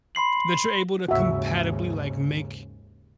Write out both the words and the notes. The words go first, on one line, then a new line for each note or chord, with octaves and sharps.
that you're able to compatibly, like, make
B5 C6 C7 F#7
D#2 G#2 C#3 F#4 E5